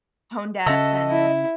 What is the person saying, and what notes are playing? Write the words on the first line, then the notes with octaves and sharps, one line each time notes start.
tone deaf and,
C#3 C#4 F#4 A4 D#5 E5
E4